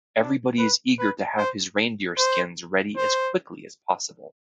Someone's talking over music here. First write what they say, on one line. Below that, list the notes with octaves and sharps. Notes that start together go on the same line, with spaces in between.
Everybody is eager to have his reindeer-skins ready as quickly as possible.
D4
B4
B4
C5
C5
C5